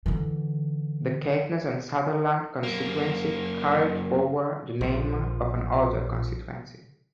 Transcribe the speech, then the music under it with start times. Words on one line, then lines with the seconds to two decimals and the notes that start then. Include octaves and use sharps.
The Caithness and Sutherland constituency carried forward the name of an older constituency.
0.06 D3 E3
2.63 F#2 A#3
4.81 A#1 F3